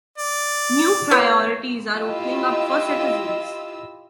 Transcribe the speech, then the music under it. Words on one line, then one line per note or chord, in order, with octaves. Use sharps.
New priorities are opening up for citizens.
D5
B3 E4 C#5
E4 F4 G4 D#5 E6